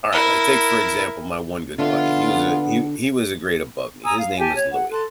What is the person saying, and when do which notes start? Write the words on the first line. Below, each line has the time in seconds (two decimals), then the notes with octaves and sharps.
alright, like, take for example, my one good buddy, he was a he he was a grade above me, his name was Louis.
0.12 E4 A#4
1.78 D3 B3 D4 F4 E5
4.04 G#5 A#5 D#6 E6
4.18 F5
4.39 G4 G#5 A5
4.55 C#5
4.72 F#5
4.90 A4 C6 F#6